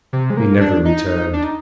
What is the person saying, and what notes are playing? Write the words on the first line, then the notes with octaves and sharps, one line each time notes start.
He never returned.
C3
G#3
A#3
D4
D#4
D#4
D4
D#4